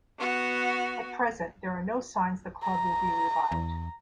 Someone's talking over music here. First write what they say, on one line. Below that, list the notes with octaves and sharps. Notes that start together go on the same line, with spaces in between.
At present there are no signs the club will be revived.
B3 F#4
A#5
E2